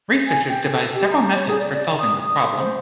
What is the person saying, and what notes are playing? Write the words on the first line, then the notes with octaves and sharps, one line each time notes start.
Researchers devised several methods for solving this problem.
G#5
G5
A4
G4
A#5
C#5
G#4
D5
D5
D#6
D#6
C5